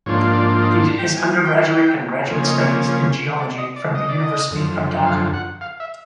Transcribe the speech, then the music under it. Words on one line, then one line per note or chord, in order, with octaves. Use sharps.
He did his undergraduate and graduate studies in geology from the University of Dhaka.
G#2 F3 A#3 D4 F4 C#5
D5
D#5
G5
G#5
G5
G5
C#3 F3 A#3 C#4
D#5
D5
D5
D#5
D5
D#5
D5
D#5
F#2 D3 F3
F5
F#5
F5
E5